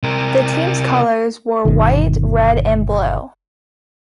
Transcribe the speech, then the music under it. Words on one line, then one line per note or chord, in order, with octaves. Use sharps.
The team's colors were white, red and blue.
C3 A#4
G1 B2 D#3